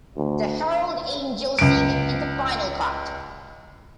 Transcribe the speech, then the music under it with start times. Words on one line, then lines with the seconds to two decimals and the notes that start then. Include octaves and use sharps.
The Herald Angels Sing in the final cut.
0.17 D2
1.59 C#2 D7